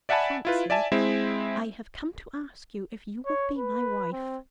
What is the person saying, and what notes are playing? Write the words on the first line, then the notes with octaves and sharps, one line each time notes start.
"Fancy, I have come to ask you if you will be my wife?"
D5 E5 F#5 G#5 A5 B5
E4 F4 B4
D5 E5 G#5 A5
G#3 C4 E4 E5
C#5
B4
C4